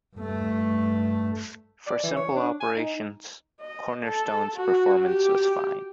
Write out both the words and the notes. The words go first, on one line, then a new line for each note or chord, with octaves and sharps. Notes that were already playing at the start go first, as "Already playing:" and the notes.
For simple operations, Cornerstone's performance was fine.
G2 A3
D5
E3
C#5
D4
G#5
D#4
D#5
A4
F#4
G4